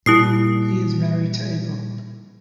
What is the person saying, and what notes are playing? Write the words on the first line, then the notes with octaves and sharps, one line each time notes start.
He is married to Apryl.
A#2 G3 E4 D#6 C7